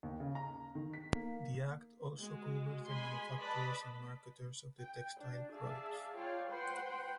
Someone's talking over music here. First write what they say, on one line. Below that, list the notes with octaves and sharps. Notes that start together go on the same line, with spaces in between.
The act also covers the manufacturers and marketers of the textile products.
D#2
C#3
A#5
D#3
B6
A#3
G#3 F#4
G#3 G#5 B5 C6
B4 D5 D#5 A5 B5
G5
D4
G#4 D5 E5 F5 A5
F4 C#5 D5 F5 G5
B4 C5 F#5 G5 C6